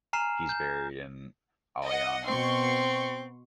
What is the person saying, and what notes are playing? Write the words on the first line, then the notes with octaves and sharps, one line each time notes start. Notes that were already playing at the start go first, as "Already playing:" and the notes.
He is buried in Aliano.
G#5 A#5 F6 C7 E7
G6
D#5 F#5
B2 C4 C6 C#6